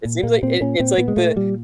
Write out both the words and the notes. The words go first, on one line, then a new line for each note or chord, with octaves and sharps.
It seems like it it's like the
A#2
A#2 A#3
A#2 C4
A#2 C#4
A#2 C4
A#2 B3
G#3
A#2 A3
A#2 G3